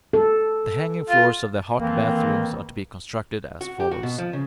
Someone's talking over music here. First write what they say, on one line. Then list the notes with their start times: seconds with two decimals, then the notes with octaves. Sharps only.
The hanging floors of the hot bath rooms are to be constructed as follows.
0.13 A4
1.09 F4
1.79 F2 D#3 E3 A#3
3.61 F#4
3.80 G4
3.91 F#4
4.03 B2
4.18 F3
4.33 C#3